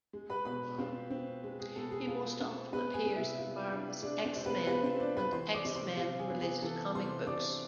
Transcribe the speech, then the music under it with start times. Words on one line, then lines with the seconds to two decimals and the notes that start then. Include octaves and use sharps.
He most often appears in Marvel's "X-Men" and X-Men-related comic books.
0.13 G#3
0.30 B4 B5
0.45 B2 B4 B5
0.78 C4 F4 C5
1.10 C4
1.44 G#3
1.60 G#4
1.76 B2 A4
1.91 G#4
2.07 F4 G#4
2.40 C4
2.73 G#3 B3 B4
2.94 G#4 G#5
3.06 C3
3.16 E4 E5
3.38 F4
3.70 D4
4.02 G#3 D4 D5
4.25 C4 C5
4.35 C3
4.46 B3 B4
4.67 B3 F4 B4
4.83 C4 C5
5.00 D4 D5
5.17 B4 B5
5.32 E3 C5 C6
5.54 D5 D6
5.65 C3
5.75 C5 C6
5.97 C3 F4 F5
6.19 G#4 G#5
6.29 B3
6.41 G#4 G#5
6.62 E3 A4 A5
6.94 C3 C5 C6
7.27 C3 D5 D6